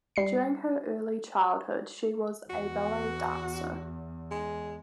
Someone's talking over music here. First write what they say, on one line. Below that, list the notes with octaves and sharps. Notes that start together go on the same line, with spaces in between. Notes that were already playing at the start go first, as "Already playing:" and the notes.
During her early childhood she was a ballet dancer.
G3 C7 C#7
E2 F#4
G#3